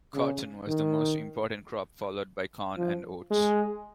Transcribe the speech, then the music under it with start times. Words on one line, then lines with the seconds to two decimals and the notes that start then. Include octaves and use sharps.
Cotton was the most important crop, followed by corn and oats.
0.14 C#3
0.67 D#3
2.77 F3
3.30 G#3